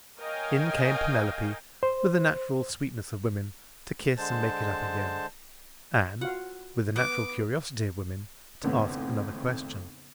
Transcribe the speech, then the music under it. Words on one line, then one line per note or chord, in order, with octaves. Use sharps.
In came Penelope--with the natural sweetness of women--to kiss and make it up again; and--with the natural curiosity of women--to ask another question.
A#4 C#5 D#5 F5 G5 G#5
C5
D3 G#3 C5 A5
F4 F#4 F5 F#5
B3 D6
G#1 F2 A2 C#3 B3